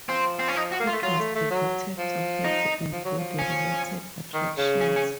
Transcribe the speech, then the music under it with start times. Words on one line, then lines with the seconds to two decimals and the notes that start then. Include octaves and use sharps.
It was devoted to health and body related attractions.
0.09 F3 C4
0.39 C4
0.48 C#4
0.56 D#4
0.72 F#4
0.80 A#3
0.87 F4
0.92 A3
1.03 F#3 F4
1.19 A3
1.35 A3
1.50 F#3
1.98 F3
2.44 D#4
2.92 F3
3.04 F#3
3.18 F3
3.39 C#4
4.34 D#3
4.58 C#3
4.81 C#4
4.96 C#4